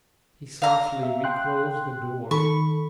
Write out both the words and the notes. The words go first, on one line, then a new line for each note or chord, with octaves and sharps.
He softly reclosed the door.
F5 A#5
E5
G5 C6 F#6
D#3 A4 B5 C#6